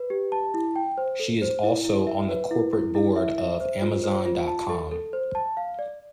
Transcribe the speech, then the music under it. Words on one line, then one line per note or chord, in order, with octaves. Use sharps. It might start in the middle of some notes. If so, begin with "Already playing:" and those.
She is also on the corporate board of Amazon dot com.
Already playing: B4
G4
A5
E4
G5
C5
A4
C5
E4
E4
E5
B4
E4
E4
E4
E5
E5
C5
F4
C5
F4
A5
A4
A4
C5
A5
F5
D5